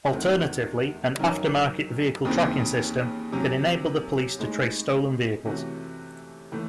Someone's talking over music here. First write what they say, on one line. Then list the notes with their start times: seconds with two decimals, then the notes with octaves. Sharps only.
Alternatively, an aftermarket vehicle tracking system can enable the police to trace stolen vehicles.
0.12 E2 D#3 A3 C4 E4
1.18 F#2 D#3 F#3 C#4
2.25 D#2 C#3 E3 C4
3.32 C3 F#3 C#4
4.39 A2 G#3 D#4
5.45 C3 E3 A3 C#4 F#4
6.52 A2 E3 A3